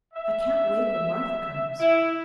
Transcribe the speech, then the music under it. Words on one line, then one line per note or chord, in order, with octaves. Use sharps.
"I can't wake when Martha comes."
E5
E4